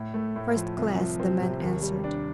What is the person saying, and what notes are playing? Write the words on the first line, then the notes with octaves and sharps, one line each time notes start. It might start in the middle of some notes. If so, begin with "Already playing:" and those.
"First-class," the man answered.
Already playing: A2
A3
A2
F3
C2
F3
C4
C3
D#2
G3
D4